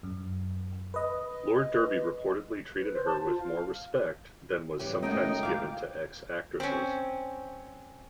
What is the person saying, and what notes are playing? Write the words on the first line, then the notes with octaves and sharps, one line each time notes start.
Lord Derby reportedly treated her with more respect than was sometimes given to ex-actresses.
F#2
B4 D#5
B4
C5
A5
F4
F5
C#3 E3 G3 G4
F#2 C#3 G#3 A3 B3 D#4 D#5 G5
E4 F4 F5 D6
C4 C#4